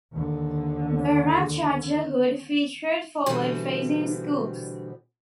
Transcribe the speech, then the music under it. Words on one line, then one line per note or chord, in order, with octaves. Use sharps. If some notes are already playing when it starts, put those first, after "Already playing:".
The "Ramcharger" hood featured forward-facing scoops.
D#2 D3
B2 D3 E3 G3 C4